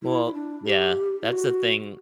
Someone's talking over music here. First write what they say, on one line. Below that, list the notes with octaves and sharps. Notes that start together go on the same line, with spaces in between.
Well yeah, that's the thing.
E4
E4
D4
G4
E4
F#4